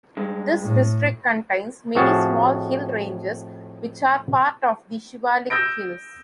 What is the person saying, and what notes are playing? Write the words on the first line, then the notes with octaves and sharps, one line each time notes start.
This district contains many small hill ranges which are part of the Shivalik Hills.
G2 G#3
A2
F2 A2 F#4 G#4 F5 A5
E6 G6 A#6 D7